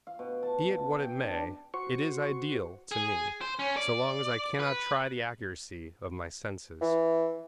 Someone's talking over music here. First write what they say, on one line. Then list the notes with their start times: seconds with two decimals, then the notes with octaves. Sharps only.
Be it what it may, it is ideal to me, so long as I cannot try the accuracy of my senses.
0.07 F5
0.19 B2
0.43 A5
0.71 A5
1.00 G5
1.23 D4
1.74 F#4 C5 C#6
2.91 G#4
3.41 C5
3.59 C#4
3.77 D5
4.60 B4
6.81 E3